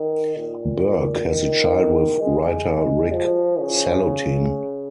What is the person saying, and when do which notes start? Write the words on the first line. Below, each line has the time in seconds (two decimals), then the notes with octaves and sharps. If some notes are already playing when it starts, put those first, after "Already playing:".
Burke has a child with writer Rick Salutin.
Already playing: D#3
0.37 A#2
1.29 D#3
2.21 G#3
3.14 F3
3.60 C#3